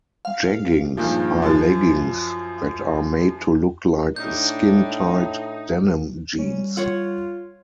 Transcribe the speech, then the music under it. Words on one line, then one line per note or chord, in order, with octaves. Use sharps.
Jeggings are leggings that are made to look like skin-tight denim jeans.
F5
G2 A#2 D#3 F3 G#3
F#2 F3 A6
A2 D4 D#4 G6
G3 C#4
F4 C#5 F#5